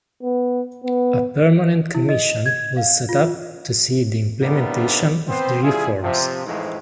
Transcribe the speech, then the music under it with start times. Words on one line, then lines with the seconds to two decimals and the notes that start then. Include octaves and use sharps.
A permanent commission was set up to see the implementation of the reforms.
0.23 B3
0.84 B3
1.95 E4
2.09 D#5
2.46 G#6
2.77 F5
3.09 F4
4.43 A2 G3 A#3 B3 D4 D#4
5.28 B3 C4 C5
5.63 G3 E4 F4 G#4
6.03 C3 F3
6.46 F2 A2 E3 F3 G#3 D#4